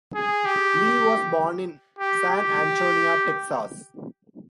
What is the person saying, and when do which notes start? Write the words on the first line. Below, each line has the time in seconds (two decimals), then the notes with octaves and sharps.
Lee was born in San Antonio, Texas.
0.15 G#4
0.45 G4
1.99 G4
2.30 G4